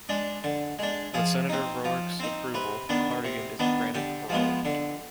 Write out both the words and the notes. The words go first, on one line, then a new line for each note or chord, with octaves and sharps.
With Senator Roark's approval, Hartigan is granted parole.
G#3 D4
D3
G#3 D4
F3 G#4
C4 D#4
F3
C4 D#4
C3 B4
D#3 B3 D4
C3
D#3 B3 D4
D3 G4
F3 G#3 B3
D3